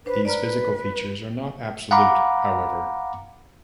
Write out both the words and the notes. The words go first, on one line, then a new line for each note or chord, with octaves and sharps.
These physical features are not absolute however.
D4 B4 C5
B4 D5 A#5 F6
F5 F#5 A#5 B5 D6